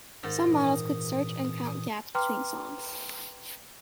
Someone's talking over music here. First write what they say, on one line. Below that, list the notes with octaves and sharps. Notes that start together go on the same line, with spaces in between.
Some models could search and count gaps between songs.
G#2 D#3 D#6 A6
A#2 E3 D#6
B4 G5 A#5 C6 D6 F6